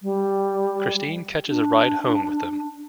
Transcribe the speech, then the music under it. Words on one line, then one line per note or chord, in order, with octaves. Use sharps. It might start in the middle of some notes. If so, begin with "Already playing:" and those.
Christine catches a ride home with them.
G3
D4